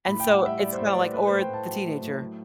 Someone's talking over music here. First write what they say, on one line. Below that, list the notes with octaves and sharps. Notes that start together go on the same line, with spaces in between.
And so, it's kinda, like or the teenager
A2 B5
A2 G5
F#5
G3 E5
G3 D5
C5
A2
D5
A2 B4
A3 B4
A2 C5
G5
A2 A5
F#3 G5
A3
A2
F#3